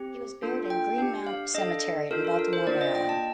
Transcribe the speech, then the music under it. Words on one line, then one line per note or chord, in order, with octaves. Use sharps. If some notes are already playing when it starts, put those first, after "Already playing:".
He was buried in Green Mount Cemetery in Baltimore, Maryland.
Already playing: C4 G4
A#3 D4 F4 A4
G5
D4 G4
F5
D4 A4 D#5
D4 F4 A4 A#4
A4
A#4
C5
A#3 D4 F4 D5
D#5
G5
A5